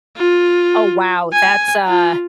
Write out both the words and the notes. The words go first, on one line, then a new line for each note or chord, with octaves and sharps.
Oh, wow, that's a
F4
G#5
F4